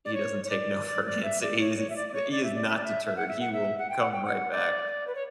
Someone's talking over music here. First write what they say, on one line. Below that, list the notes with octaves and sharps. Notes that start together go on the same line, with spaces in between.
he doesn't take no for an answer, he is he is not deterred, he will come right back,
D5
C#5
C#5
D5
D5
D5
E5
D5
C#5
C#5
E5
D5
D5
C#5
D5
E5
D5
E5
D5
E5
E5
F#5
E5
F#5
E5
F#5
G5
F#5
G5
F#5
D5
B4
C#5